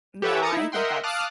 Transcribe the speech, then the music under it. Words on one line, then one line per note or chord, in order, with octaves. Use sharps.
No, I think that's
G4 A4 B4 C#5 E5 F#5
A4 A#4 A#5 D#6 A6 C#7
D#4 E4
A#4 D#5 E5 F#5 G5 C6
F5 A5 D6 D#6 F6 F#6